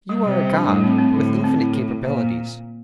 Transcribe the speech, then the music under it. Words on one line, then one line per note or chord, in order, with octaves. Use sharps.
You are a god, with infinite capabilities.
G3
C3 G3
G3
D4
A2 G3
C4
C4
A2 D3
D3
C4
A2 E4
A4
E4
A#2 C5
A#3